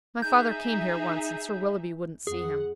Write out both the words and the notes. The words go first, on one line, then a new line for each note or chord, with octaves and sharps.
My father came here once, and Sir Willoughby wouldn't see him.
D#4 G#4 E5 G6
F2 G#4 F#5